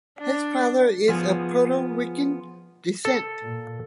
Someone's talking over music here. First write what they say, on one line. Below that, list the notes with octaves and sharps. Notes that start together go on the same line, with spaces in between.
His father is of Puerto Rican descent.
D4
F3 B3 G#4
A4
A#2